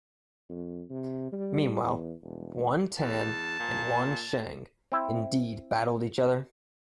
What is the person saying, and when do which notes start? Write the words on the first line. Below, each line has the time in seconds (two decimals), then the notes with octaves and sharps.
Meanwhile, Yuan Tan and Yuan Shang indeed battled each other.
0.49 F2
0.90 C3
1.32 G3
1.83 E2
2.23 E1
3.01 E2 A5
3.59 A#2
4.92 C4 E4